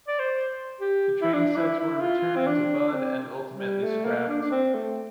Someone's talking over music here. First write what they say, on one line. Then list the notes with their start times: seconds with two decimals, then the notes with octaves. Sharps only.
The trainsets were returned to Budd and ultimately scrapped.
0.08 D5
0.19 C5
0.80 G4
1.22 E4
1.33 D4
1.56 E4
1.79 E4
2.01 F4
2.36 C4
2.47 D4
2.92 C4
3.52 G3
3.83 A3
4.05 A#3
4.29 D4
4.41 D4
4.51 C4
4.75 A3